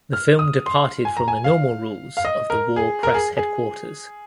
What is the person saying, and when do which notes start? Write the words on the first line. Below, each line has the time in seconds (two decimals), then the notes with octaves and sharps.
The film departed from the normal rules of the war press headquarters.
0.13 F6
0.39 D#6
0.66 C6
1.05 G#5
1.17 A#5
1.28 G#5
1.44 F5
2.17 F5
2.25 D#5
2.50 A#4
2.76 G#4
3.03 A#4
3.14 G#4
3.37 G#4